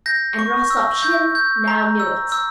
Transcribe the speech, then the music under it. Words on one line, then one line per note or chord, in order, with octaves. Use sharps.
And Rostopchin now knew it.
G6 A#6
C#6
E6
G6
G6
A#5
E6
E6